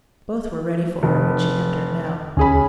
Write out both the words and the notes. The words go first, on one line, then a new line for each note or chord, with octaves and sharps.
Both were ready for her when she entered now.
F1
D2 C#4 G#4 B5